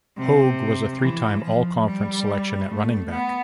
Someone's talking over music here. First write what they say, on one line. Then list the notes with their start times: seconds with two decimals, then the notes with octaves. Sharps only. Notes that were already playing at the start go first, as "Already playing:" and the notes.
Hoge was a three-time all-conference selection at running back.
0.17 C3
1.01 E3
1.43 F3
1.85 G3
2.69 A3
3.11 B3